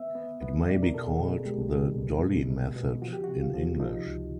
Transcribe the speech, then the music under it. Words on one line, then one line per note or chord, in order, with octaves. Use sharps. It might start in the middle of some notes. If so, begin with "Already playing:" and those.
It may be called the "dolly method" in English.
Already playing: B3 E5
B3
B3
B2 D5
A#4
B2 A4
G#4
B2
G#3 G4
B2
B2
B2
B2
B2
F3 F#4
G4
C3 F#4
F4
F3
F3 D#4
C#2